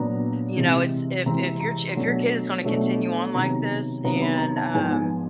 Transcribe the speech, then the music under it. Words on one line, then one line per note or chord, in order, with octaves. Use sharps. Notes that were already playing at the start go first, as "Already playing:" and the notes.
you know, it's if if your ch if your kid is gonna continue on like this and, um
Already playing: A#2 F#3 B3 D4 A#5
C3 E3 G#3 C4
C3 E3 G#3 C4 A#5
A#5
B2 F#3 A3 D4
B2 F#3 A3 D4
C3 D#3 F#3 B3 A#5
C3 D#3 F#3 B3 A#5
B5
A#5
A5
G#2 F3 G#3 B3 G#5